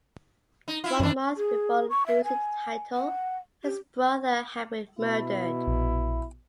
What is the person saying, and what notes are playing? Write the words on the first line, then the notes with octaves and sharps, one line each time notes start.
One month before losing the title, his brother had been murdered.
D#4
E4 F4
F#2 D#3 E3 C#4 D4
G#4
C#6
E5
G#5
F#5
G4
B2 E4
A#1